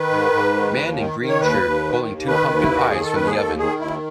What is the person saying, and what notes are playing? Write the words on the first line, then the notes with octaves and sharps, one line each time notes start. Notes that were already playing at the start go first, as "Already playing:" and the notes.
Man in green shirt pulling two pumpkin pies from the oven.
Already playing: D#3 B4
G#2
G#2
D#3
D#2
D#3
D#3
C#5
D#2 B4
D#2
D#3
D#2
D#3 B4
D#2
E4
D#3 F#4
D#3 G#4
A4
D#2 B4
G#4
D#3 A4
D#3 G#4
D#2 E4